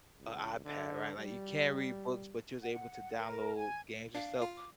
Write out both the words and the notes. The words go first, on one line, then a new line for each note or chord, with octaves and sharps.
a iPad, right, like, you can't read books, but you was able to download games and stuff,
C#2
D3
G3
F#5
A#4
G#5
D4 F5
F4
D6